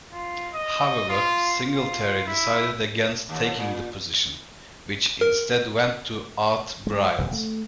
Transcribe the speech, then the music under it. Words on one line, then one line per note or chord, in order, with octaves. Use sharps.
However, Singletary decided against taking the position, which instead went to Art Briles.
F4
D#5
F4
F4
E4
D#2
A#2
A#4
G#3
D#1 C3 F#3
A3